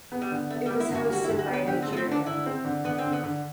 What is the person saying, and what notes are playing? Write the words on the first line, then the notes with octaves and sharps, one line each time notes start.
It was hosted by Nigeria.
B3
G3
D3
A3 B3
G3
B3
E4
D2 F#4
G3 F#4
E4
D2
F#4
B3 B4
D3 G4
C4
A3
B3
C4
D3 D4
D3 E4
C4
D3
D3 B3
C4
D3
B3
D3